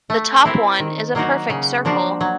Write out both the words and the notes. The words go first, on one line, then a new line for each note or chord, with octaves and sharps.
The top one is a perfect circle.
A3
C4 E4 G4 A#4
D#3
F#3 A#3 D#4 F#4
C#3
F3 A#3 D4 F#4
F#3